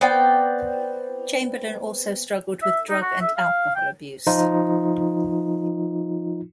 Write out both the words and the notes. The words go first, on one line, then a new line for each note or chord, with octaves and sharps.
Chamberlain also struggled with drug and alcohol abuse.
B3 C4 D5 G5
E5
D#4
F#4
E5
F5
G5
F3 D#4 F4